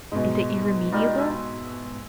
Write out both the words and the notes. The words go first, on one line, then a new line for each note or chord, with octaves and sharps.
'Is it irremediable?'
G#2 B2 G#3
G3 D#4 F4
E5 G#5 C6